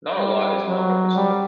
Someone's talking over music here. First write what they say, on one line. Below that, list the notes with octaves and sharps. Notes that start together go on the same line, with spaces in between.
Not a lot is known of his life.
G3
F#3
G3